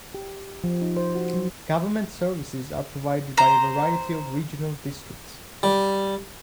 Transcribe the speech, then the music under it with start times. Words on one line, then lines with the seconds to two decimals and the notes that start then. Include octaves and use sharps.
Government services are provided by a variety of regional districts.
0.14 G4
0.64 F3
0.82 D#4
0.97 C5
1.15 F#4
1.34 F#3
3.37 C5 A#5
5.63 G3